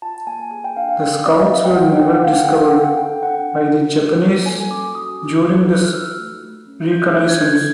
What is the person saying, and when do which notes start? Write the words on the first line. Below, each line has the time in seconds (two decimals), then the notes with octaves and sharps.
The scouts were never discovered by the Japanese during this reconnaissance.
0.02 F4 A5
0.27 A#3 G#5
0.51 G#4 G#5
0.64 G5
0.76 D4 F5
0.89 F5
1.01 G#4
1.26 C4 D5
1.34 D#5
1.42 E5
1.50 C4 F5
1.65 G5
1.74 F4 F#5
1.99 E4 G5
2.12 F#5
2.24 A3 F5
2.37 F#5
2.45 A4 G5
2.54 F#5
2.73 C4
2.97 A4 G5
3.23 D4 F#5
3.47 D4
3.71 F4
3.97 F#4
4.21 A#3
4.46 A4 G#5
4.70 C#4 D6
4.95 F#4 D#6
5.20 C4
5.45 A4
5.69 D#4
5.75 F#6
5.84 F6
5.93 F#4 E6
6.19 A3
6.43 A3
6.67 C#4
6.92 F4 G6
7.04 G6
7.17 A3 F#6
7.29 G#6
7.36 G6
7.41 A4 G#6